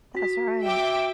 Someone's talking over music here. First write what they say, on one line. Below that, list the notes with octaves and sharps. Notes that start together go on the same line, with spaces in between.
That's right.
F#4 B6
E5 G5 D6